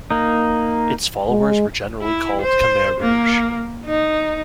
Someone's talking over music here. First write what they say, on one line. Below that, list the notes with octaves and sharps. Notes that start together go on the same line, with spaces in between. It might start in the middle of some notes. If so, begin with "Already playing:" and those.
Its followers were generally called "Khmer Rouge".
A#3 D#4
G#3
E4
C5
A#3
D#4